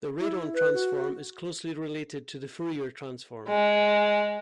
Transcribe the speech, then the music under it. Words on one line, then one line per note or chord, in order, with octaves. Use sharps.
The Radon transform is closely related to the Fourier transform.
E4
B4
F#4
G#3